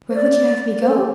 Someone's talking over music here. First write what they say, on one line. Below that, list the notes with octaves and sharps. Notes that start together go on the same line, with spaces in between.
"Where would you have me go?"
C5
D5
C5
A4
G4